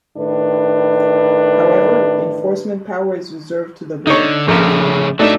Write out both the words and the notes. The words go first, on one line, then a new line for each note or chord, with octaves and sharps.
However, enforcement power is reserved to the Board.
A2 D#3 D4 B4
D3 D#4 C#5
A#1 C#3 A3 A#4
F#3 A3 D4 D#4 E5